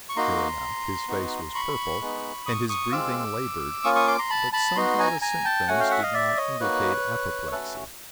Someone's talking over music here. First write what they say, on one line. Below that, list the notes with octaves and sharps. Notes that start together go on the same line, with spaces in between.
Sure enough, his face was purple and his breathing laboured, but somehow the symptoms did not indicate apoplexy.
C#6
A#3 D#4 F#4 A#5 C6
B3 D#4 F#4
B5 C#6
G#3 B3 D#4
C#6 D#6
C#6 D#6
G#3 C4 F4 D6 E6
A#3 C#4 F4 C#6 D#6
C#6 D#6
C6 D6
A#5 C6
A5 B5
A5 B5
B3 D#4 F#4 A#5 C6
G#5 A#5
G#5 A#5
G5 A5
A3 C#4 F#4 F#5 G#5
F5 G5
E5 F#5
D#5 F5
D5 E5
C#5 D#5
A#3 D#4 F#4 B4 C#5
A3 C#4 F#4 A4 B4